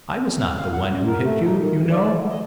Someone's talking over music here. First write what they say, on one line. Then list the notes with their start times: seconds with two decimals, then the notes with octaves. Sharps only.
I was not the one who hit you, you know.
0.58 F5
0.72 F#5
0.88 F#2
1.07 A#4
1.24 A3
1.44 D#4
1.60 D#3
1.79 G#2
1.91 D5
2.18 D3
2.30 D#5